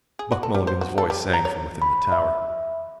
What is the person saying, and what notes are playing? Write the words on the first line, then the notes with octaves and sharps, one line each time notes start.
Buck Mulligan's voice sang from within the tower.
G#4
F#4
A4
G3
C5
F#4
A4
G3
A#5
C#5
B5
E5